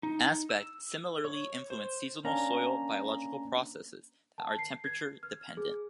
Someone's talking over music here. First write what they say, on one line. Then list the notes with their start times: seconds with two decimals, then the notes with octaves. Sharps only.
Aspect similarly influence seasonal soil biological processes that are temperature dependent.
0.03 D#4
0.49 E6
1.25 C#5
1.70 C5
2.25 A#3 C#4 D4 A#5
4.38 A5
4.59 C7
4.84 G#6
5.23 F6
5.57 G#4